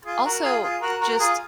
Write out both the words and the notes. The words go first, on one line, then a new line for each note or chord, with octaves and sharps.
Also, just
F4 G#4
F#4 A#4
F4 G#4
F4 G#4
F#4 A#4
F#4 A#4
A#4
F4 G#4